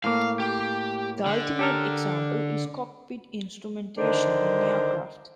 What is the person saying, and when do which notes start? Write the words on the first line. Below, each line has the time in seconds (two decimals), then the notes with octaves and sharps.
The ultimate example is cockpit instrumentation in aircraft.
0.04 A2 A#3 F5
0.40 G4
1.26 D3
1.59 G4 A4 A#4
3.97 D3 D#3 D4 C5